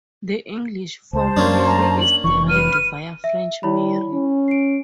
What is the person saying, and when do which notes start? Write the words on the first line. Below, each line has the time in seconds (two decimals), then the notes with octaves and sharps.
The English form "Mary" is derived via French "Marie".
1.13 C#2 C5 A5
1.37 F#2 A#3 C#4 D4
1.66 A#5
2.01 F#7
2.24 F1 E3 C#6
2.49 B4 F6 D#7
3.24 E5
3.63 G3 E4 C#5 B5
4.13 C#4
4.48 C7 D7